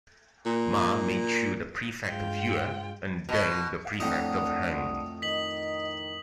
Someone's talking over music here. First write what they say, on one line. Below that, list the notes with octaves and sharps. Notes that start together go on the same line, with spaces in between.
Ma made Xu the prefect of Yue and Deng the prefect of Heng.
A#2
G2 G#3 F4 G5
B2
F2 A2 D4 D#4 F#5 D#6
D#3 D#5 B6 F#7